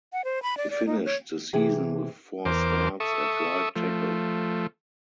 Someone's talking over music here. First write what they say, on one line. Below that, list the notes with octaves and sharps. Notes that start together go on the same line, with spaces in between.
He finished the season with four starts at right tackle.
F#5
C5
B5
D5
D5
D#4
C#5
C3 E3 G#4 G5
E2 A#4 C5 D6
A4 E5 C#6 D#6
F3 A3